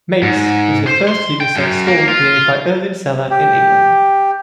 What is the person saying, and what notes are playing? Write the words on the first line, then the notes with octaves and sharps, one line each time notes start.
'Mates' was the first unisex store created by Irvine Sellar in England.
G#2
C5
C6
G5
F#2
A#3
F4
G4